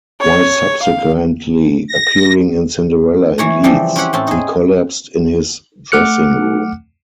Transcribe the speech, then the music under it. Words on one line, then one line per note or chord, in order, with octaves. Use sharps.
While subsequently appearing in "Cinderella" in Leeds, he collapsed in his dressing room.
C#5
F5
A#6
E3 C#5 A#5
C#3 E3 F3 G3 C4
C4 C#4 E4 G4 F#5 B5
A2 C4 C#4 A5
D#4 G#4
A3 F#5 D6 F6 F#6 C#7